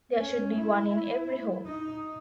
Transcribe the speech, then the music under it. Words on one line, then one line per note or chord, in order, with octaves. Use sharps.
There should be one in every home.
C#4
E4
D#4